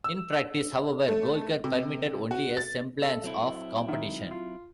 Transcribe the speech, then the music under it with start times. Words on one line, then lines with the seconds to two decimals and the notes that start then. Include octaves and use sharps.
In practice, however, Golkar permitted only a semblance of competition.
0.04 E6
1.08 A3
1.64 C3
2.31 F#4
2.57 A6
3.02 A4
3.24 F#3 C4 E4
3.88 D#3 E5
4.31 F4